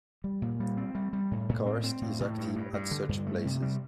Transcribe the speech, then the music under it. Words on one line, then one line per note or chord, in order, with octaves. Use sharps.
Karst is active at such places.
G3
A#2
G3
C4
G3
G3
A2
A2
C4
C4
A2
A2
G2
G2
G2
D3
G2
A3
C3
G3